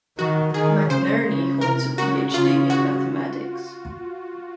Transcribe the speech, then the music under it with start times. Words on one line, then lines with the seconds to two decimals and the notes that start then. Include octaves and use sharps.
McNerney holds a Ph.D in mathematics.
0.18 D#3 F#4
0.54 D#3 G#4
0.90 C#3 C5
1.26 C#3
1.61 C3 A#4
1.98 C#3 F#4
2.34 C#3 F4
2.70 F#4